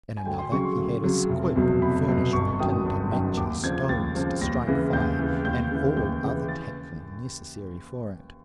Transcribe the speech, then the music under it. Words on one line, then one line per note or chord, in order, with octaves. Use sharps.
In another, he had a squib furnished with tinder, matches, stones to strike fire, and all other tackling necessary for it.
G#5
D2 G5
C6
C#3 F#3 C#6
C6
D2
C#3 F#3
F1
E2 B2 F#3
F1 B5
E2 B2 F#3
G1 C#6
F#2 D#3 F#3 D#6
G1
F#2 D#3 F#3
D#2 D6
C#3 F3 G#6
D#2 A6
C#3 F3
D#2 A#6
C#3 E3
D#2 G6
C#3 E3
D#2 G6
C#3 E3
D#2 G6
C#3 E3
A6